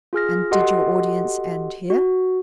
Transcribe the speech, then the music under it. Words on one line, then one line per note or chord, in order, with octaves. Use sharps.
'And did your audience end here?'
F4 G#4 F6 A#6
F#4 G4 A4 D#5 F#5 C6
F#4